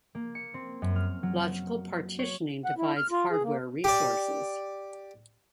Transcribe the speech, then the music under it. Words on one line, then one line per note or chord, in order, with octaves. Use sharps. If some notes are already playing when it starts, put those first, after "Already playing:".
Logical partitioning divides hardware resources.
A#3
C#7
C4
F#2
F6
F#3
C#5
F#5
E4
F6
F4
G#4
A#3
G4 D5